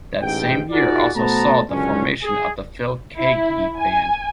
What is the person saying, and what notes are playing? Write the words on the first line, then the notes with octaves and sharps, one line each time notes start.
That same year also saw the formation of the Phil Keaggy Band.
A1 G#2 G5
D#4 F4 F#4 G#4 A#4 D5
B2 A3 B3 C5 A5 A#5
C#2 F#2 D3 C#4
G#4
E4
G#5